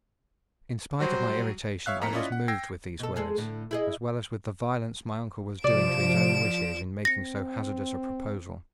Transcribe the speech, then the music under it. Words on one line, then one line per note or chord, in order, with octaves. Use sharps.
In spite of my irritation I was moved with these words, as well as with the violence my uncle was doing to his own wishes in making so hazardous a proposal.
F#3 G3 F#4 C5
C#5 E5 F5 F#6
F2 A#3 A#5 B6 C#7
C#4 E4 F4 D5 D#5
F#5
G5 E6 G#6 A#6 C7
B2 A4
G#3 G#4 A4
A2 D3
E4 G#4 D#5
C3 F3 D5 D7 E7
C4 A#6 C#7